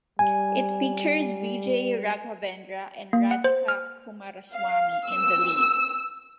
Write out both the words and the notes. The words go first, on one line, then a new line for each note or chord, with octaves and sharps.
It features Vijay Raghavendra and Radhika Kumaraswamy in the lead.
G3 G#5
A#3
F#5
C5
F6
F5
E6